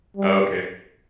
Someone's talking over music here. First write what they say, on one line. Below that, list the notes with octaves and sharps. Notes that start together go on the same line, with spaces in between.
Oh, okay.
G3